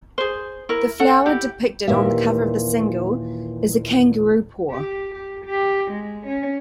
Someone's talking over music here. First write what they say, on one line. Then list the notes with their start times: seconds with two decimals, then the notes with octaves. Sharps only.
The flower depicted on the cover of the single is a Kangaroo paw.
0.18 G#4 C5
0.69 E4 A#4
1.00 A4 F#5
1.26 E4 G4
1.88 D#2 A#2 E3 A#3 G4 E5
4.71 G4
5.15 G4
5.45 G4
5.92 G#3
6.27 C#4